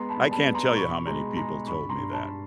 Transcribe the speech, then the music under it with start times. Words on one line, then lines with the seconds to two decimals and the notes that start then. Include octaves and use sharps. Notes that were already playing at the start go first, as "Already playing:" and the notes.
I can't tell you how many people told me that.
Already playing: G#3 B3 A#5 C6
0.09 A5 B5
0.17 G3
0.31 A5 B5
0.47 B3
0.54 A#5 C6
0.76 B2 B5 C#6
1.06 G#3 A#5 C6
1.36 G#3 A#5 C6
1.67 G2 B5 C#6
1.89 A#5 C6
1.98 G2
2.12 A5 B5